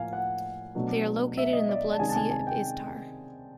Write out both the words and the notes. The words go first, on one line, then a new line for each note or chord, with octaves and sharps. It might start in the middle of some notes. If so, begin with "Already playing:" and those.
They are located in the Blood Sea of Istar.
Already playing: A2 F3 A#3 F5 G#5
F#5
B2 F#3 A3 D4
E5
D#5
D5
A5
C3 D#3 G#3 C#4 G#5
A5
G#5
G#5
G5